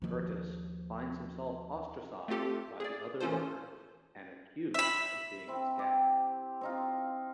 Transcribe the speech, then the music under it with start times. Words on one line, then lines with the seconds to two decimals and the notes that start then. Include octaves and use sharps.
Curtis finds himself ostracised by the other workers and accused of being a scab.
0.02 D#2 F3
2.28 A3 C4 F4 G4 A4
2.80 G#4 D5
3.21 E3 C#4 F4 A4 C5
4.74 E5 B5
5.48 C4 E4
5.79 G4
6.61 C4 D#4 F4